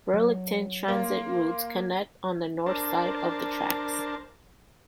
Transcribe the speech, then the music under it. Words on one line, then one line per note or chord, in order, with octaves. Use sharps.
Burlington Transit routes connect on the north side of the tracks.
F#3
A#3 F5 C6
D4 A#4 C5 A5